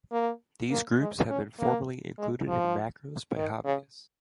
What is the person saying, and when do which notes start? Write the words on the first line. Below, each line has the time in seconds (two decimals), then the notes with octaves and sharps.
These groups have been formerly included in macros by hobbyists.
0.12 A#3
0.71 A#3
1.00 G#3
1.30 C#4
1.59 A#3
2.19 G#3
2.48 F3
3.37 D#3
3.65 C#3